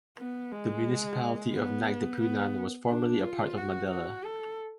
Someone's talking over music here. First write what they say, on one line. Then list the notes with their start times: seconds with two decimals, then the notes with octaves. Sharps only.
The Municipality of Nagtipunan was formerly a part of Maddela.
0.17 B3
0.51 G#3
1.53 B3
2.21 B3
2.89 D4
3.23 F4
3.57 F#4
3.91 F#4
4.25 A4